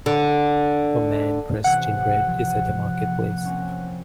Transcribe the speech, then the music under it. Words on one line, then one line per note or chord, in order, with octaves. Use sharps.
A man dressed in red is at the marketplace.
D3
C3 E3 C#4 F#5
F3
A#3
A#3 C4 C#4